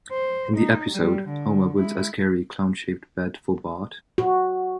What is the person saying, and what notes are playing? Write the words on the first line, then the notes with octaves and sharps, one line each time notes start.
In the episode, Homer builds a scary clown-shaped bed for Bart.
C5
D#4
G3
D3
G#3 E4
F#4